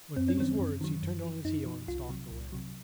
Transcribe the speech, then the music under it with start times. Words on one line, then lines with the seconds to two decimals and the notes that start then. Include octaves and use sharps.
With these words he turned on his heel and stalked away.
0.16 F#2 C4
0.28 C#4
0.37 D#3 F#3 C4
0.59 F#2
0.81 D#3 F#3
1.03 F#2
1.24 F3
1.45 F#2 D#4
1.66 F3
1.88 C2 F4
2.09 C3 F#3
2.31 C2
2.52 C3 F#3